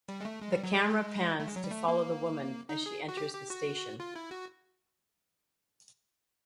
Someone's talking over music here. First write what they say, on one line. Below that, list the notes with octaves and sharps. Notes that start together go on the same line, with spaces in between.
The camera pans to follow the woman as she enters the station.
G3
G#3
A3
G#3
G3
F#3
G#3
A3
G#3
F#3
G3
A3
A#3
D#4
G#4
F#4
G4
G4
F#4
F4
E4
F#4